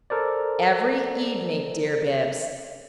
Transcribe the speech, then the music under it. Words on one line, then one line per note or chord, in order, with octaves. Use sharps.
"Every evening, dear Bibbs!"
A4 A#4 C5 D5